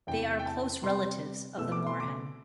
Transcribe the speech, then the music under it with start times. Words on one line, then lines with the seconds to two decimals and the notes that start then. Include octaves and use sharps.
They are close relatives of the moorhen.
0.07 E2 C3 E3 G5
0.39 G5
0.46 A5
0.83 C3 G3 B3 C6
1.58 B2 A3 C4 E6
1.72 D6
1.87 C6
2.00 D6